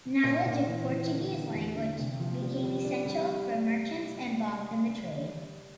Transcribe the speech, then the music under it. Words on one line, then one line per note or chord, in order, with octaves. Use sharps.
Knowledge of Portuguese language became essential for merchants involved in the trade.
A#2
A#2
E3
E3
D3
G3
E2
D3
C3
F3
G3
G3
D4
G3